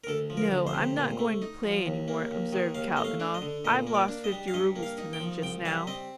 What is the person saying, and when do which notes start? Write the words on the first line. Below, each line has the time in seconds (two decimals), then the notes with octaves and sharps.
"No, I'm not going to play any more," observed Kalganov, "I've lost fifty roubles to them just now."
0.04 A#4
0.07 D2 A4
0.30 F3
0.37 A#4
0.52 D2
0.67 C5
0.74 C3
0.96 A#2
1.19 A3
1.42 D#4
1.64 F3
1.86 D#2
2.08 A#3
2.31 D#2
2.53 D#3
2.75 D#2 F5
2.96 A3 D#5
3.04 F5
3.20 D4
3.34 D#5
3.42 D3
3.65 A#2 D#5
3.87 A#3
3.94 D5
4.08 D4
4.24 D#5
4.32 G3
4.48 F5
4.54 G2 D#5
4.76 A#3
4.83 F5
4.98 D#4
5.13 G5
5.20 F3
5.42 C2 G5
5.65 G3 F5
5.87 C4 D#5